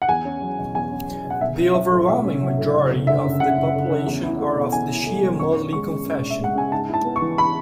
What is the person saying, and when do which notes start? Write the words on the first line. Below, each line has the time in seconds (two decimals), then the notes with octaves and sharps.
The overwhelming majority of the population are of the Shia Muslim confession.
0.02 F#5
0.09 E2 G#5
0.25 C#4
0.42 F#3
0.58 B2
0.75 E2 G#5
0.92 C#4
1.08 F#3
1.25 B2
1.30 F#5
1.41 B1 E5
1.58 C#4
1.74 F#3 E5
1.91 A2
2.08 B1 E5
2.24 C#4
2.41 F#3
2.58 A2
2.74 F#1
2.91 F#1
3.07 D3 E5
3.24 F#2
3.40 F#1 F#5
3.57 F#1
3.73 D3
3.90 F#2
4.06 E2
4.23 E4
4.40 A3
4.56 B2
4.72 E2 G#5
4.90 E4
5.06 A3
5.22 B2
5.39 F#2 C#6
5.56 D4
5.72 G#3 C#6
5.89 C#3
6.06 F#2
6.22 D4
6.30 E5
6.39 G#3
6.44 F#5
6.55 C#3 G#5
6.72 G#2 A5
6.89 E4
6.94 A5
7.05 B3
7.16 C#6
7.21 E3
7.38 B5